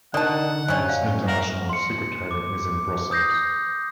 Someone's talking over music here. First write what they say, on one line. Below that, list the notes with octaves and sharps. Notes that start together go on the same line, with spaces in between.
Its International Secretariat is in Brussels.
D3 D#3 D#4 A#4 D5 F#5 A5
F#2 C3 C#4 D5 D#5
F5
A#4 E5 F#5
C6 C#7
D6
D#6 G6 A#6 C7